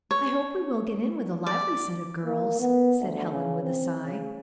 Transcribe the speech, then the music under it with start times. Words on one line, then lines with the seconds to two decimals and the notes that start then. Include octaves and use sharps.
"I hope we will get in with a lively set of girls," said Helen, with a sigh.
0.11 C#5
1.46 D5
2.26 A#3
2.60 B3
3.01 D2
3.31 C#3
3.63 C4
4.04 C#3